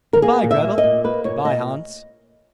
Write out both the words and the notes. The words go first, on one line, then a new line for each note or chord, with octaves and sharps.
'Goodbye, Gretel.' 'Goodbye, Hans.'
A#4
A#3 G#4
A#2
E5
A#3
D#5
A#2
A#3 B4
A#2 C#5
A#2 D#5